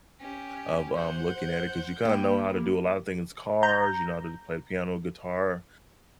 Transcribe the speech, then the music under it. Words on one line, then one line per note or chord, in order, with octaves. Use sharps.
of, um, looking at it, 'cause you kinda know how to do a lot of things, cars, you know how to do play the piano, guitar,
C#4 G4
C5 F#5 G6
A#3 E4 G4
A#5 G6